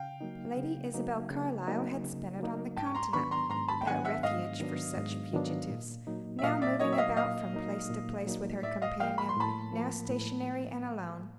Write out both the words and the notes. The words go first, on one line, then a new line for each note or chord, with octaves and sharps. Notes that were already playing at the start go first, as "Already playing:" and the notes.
Lady Isabel Carlyle had spent it on the continent--that refuge for such fugitives--now moving about from place to place with her companion, now stationary and alone.
Already playing: C#3 F5 G5
F#3 A#3 D#4
C#3
F#3 A#3 D#4
C#3
F#3 A#3 D#4
C#3
F#3 A#3 D#4
G#2 G5 A5
C#6
A#5 C6
D#3 F#3 B3 D4 B5 C#6
A#5 C6
G#2 A#5 C6
A5 B5
G5
D#3 F#3 B3 D4 F#5 G#5
E5 F#5
G#2 D#5 F5
D#3 F#3 B3 D4
G#2
D#3 F#3 B3 D4
A#2
F#3 A#3 D#4
E5
A#2 D#5 F5
D5 E5
F#3 A#3 D#4 C#5 D#5
E5
D#5 F5
A#2 D#5 F5
F#3 A#3 D#4
A#2
F#3 A#3 D#4
A2 D5 E5
D#5 F5
F3 A#3 F5 G5
B5
C6
A2 A5 B5
F3 A#3
A2